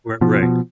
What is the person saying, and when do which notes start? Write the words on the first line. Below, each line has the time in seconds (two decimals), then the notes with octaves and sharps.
R right.
0.21 B2 F3
0.42 B2